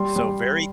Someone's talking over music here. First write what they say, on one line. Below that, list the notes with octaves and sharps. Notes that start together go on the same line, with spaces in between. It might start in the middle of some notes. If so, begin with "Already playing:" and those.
so very
Already playing: G3 C6
G3